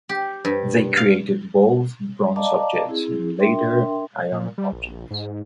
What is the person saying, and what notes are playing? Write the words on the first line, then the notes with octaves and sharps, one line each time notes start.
They created both bronze objects and later iron objects.
G4
G2
F5
D5 D#5 F5 A5 A#5 D6
C4 E4 G#4
D4 A#4 E5 G5 C6
A#2
G3
A#1
G#2